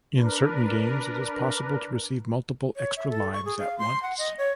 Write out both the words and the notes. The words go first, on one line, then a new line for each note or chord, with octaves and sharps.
In certain games, it is possible to receive multiple extra lives at once.
D4 A#4 B4
C#5
E5
A4
C#6
G#4
F5
C6
F#5
D#5
C#5